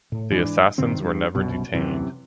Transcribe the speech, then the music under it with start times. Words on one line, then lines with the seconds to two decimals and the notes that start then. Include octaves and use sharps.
The assassins were never detained.
0.12 A2
0.30 G#2 E3 C4 D4
0.78 G2 C3 D#3 C4
1.03 G2
1.35 C2 F#2 B2
1.74 F#2 C3 E3